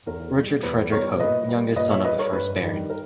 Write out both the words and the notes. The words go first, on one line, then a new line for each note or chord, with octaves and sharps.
Richard Frederick Hope, youngest son of the first Baron.
E2 A#4
B2 G3
E2 B4
B2 G3 A#4 C#5
A#2 B4 D#5
G3
A#2 B4 D#5
C#5 E5
G3 B4 D#5
A#4 C#5
G2 B4
D#3 G3
A#4